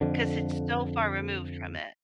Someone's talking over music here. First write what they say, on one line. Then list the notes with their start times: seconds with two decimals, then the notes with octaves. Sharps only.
'cause it's so far removed from it.
0.01 F2 D3